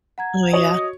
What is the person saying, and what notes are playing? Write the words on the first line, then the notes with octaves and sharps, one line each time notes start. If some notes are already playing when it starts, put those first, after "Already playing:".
Oh yeah.
F#5 A#5 G#6
F#4 C#5 D#5